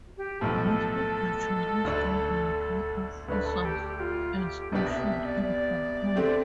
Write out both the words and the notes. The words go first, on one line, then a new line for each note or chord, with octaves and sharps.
Most of the Chinese graduates were officers and stationed in Hong-Kong.
G4
B1 A2 F3 A4
D2 D3 A3 D4
D2 D3 A3 D4 B4
A4
G4
G4
F4
G4
C2 B2 B3 D4 G4 E5
E5
E5
D5
D5
D3 A3 C4 G4